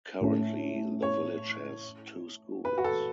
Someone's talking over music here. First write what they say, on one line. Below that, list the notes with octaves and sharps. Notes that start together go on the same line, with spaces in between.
Currently the village has two schools.
A2 A3 C#4
C#5
B4
F#4
A4